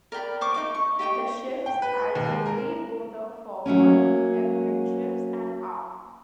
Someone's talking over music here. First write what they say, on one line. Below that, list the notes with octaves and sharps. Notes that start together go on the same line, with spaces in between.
The ships had a freeboard of forward, amidships, and aft.
A#4 D5 G5 B5
C5 C#6 D6
D#4 F#4 D6
C#6
G4 D#5 G5 C#6
G5
B4
D#2
G#3
A#4
F#3 A3 A#3 C#4